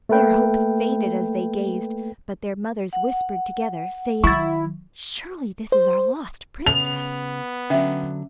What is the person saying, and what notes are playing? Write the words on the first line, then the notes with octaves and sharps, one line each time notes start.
Their hopes faded as they gazed, but their mothers whispered together, saying, 'Surely this is our lost princess!'
A3 A#3 A4 B4 G5
F#5
D#3 F#3 E4 C#6 A6
C5
C#3 B3 F7
D3 F#3 C#4 E5